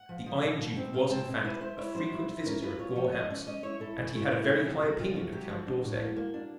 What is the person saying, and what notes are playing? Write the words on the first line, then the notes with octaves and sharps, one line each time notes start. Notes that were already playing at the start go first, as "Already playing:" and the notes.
The Iron Duke was, in fact, a frequent visitor at Gore House, and he had a very high opinion of Count d'Orsay.
Already playing: F#5
F3
F3
B2
B2
C4
B2 F5
C4 A5
B2
E4 B4
E4 C5
E4 C#5
F#3 C5
E4
E4
C#4 A#4
F4 B4
F4 C#5
F3 C#5
F3 D#5
C#4 D5
C#4 D#5
E4 C#5
E4 A4
E3
A3
E4
C3 G#4
F#3 G4
C3 F#4
C3 F4
C3 F#4
F#3 G4
F3 F#4
D4
A2
A#3
A#3
D4